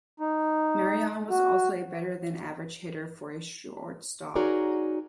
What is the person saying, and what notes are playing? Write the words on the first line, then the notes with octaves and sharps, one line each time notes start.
Marion was also a better-than-average hitter for a shortstop.
D#4
F#4
D#4 F#4 G#4 A#4 C#5 D5